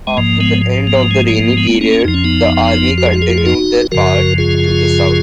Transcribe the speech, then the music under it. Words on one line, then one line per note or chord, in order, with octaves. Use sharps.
After the end of the rainy period, the army continued their path to the south.
G#3
G#2 F3 A#3
G#3 B3
A#3
B3
A#3
G#3
G#3
A#3
G#3 B3
A#3 C#4
F2 F3 D#4
C#4
B3 D#4
F#4
G#4
F#4
G#4
F#4
G#4
D#4 F#4
F#2 C#3 F3 F#4 A#4
F4 G#4